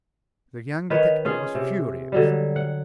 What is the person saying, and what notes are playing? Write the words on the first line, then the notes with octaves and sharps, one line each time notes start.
The young detective was furious.
D#3 B4 C#5
C#4 F4 G#4
C3
D3 F#3 G3
F#5